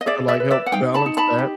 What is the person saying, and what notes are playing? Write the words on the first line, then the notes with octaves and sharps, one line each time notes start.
to, like, help balance that.
D#5
G#4 D5 E5
D5 E5
B4
D5 E5
F#5
D#4 F5 G5
A5 B5
D#4
A5 B5
G4